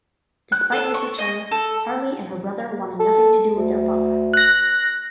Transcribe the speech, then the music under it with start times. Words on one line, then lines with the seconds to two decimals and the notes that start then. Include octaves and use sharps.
Despite his return, Harley and her brother wanted nothing to do with their father.
0.52 F#6
0.72 A4
0.94 C#6
1.18 D#5
1.51 A4
3.00 A4
3.54 D2
4.33 F#6 A#6